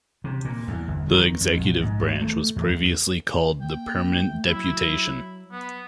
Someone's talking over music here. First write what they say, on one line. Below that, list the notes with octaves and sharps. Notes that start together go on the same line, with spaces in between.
The executive branch was previously called the "Permanent Deputation".
C3
A#2
E2
G1
D#3
F2
A#1
G#2
G#1
A3
E2
A#3 G5
A3
F#3 E4
B3